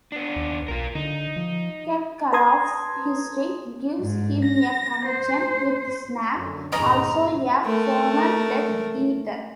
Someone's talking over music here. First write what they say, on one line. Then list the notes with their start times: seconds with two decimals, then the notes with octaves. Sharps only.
Karkaroff's history gives him a connection with Snape, also a former Death Eater.
0.12 B3 D4
0.36 D#2
0.68 B1 F4 A#4
0.95 D3 D#4
1.36 F3
2.33 B4 A5 A#5 C6 D#6 G#6
4.00 G#2
4.45 A#6
5.07 C5
6.35 F#2 D3
6.72 G1 E2 A#2 B3 C#4 D#5 A#5
7.65 A3 A#4